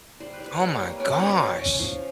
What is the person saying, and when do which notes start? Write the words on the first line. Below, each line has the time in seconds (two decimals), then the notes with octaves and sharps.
Oh my gosh.
0.20 G3 C5
0.33 B4
0.40 G3
0.46 B4
0.60 G3 C#5
0.80 A#3
1.00 C#4 D5
1.20 B2
1.40 C#4
1.59 C#4
1.79 F3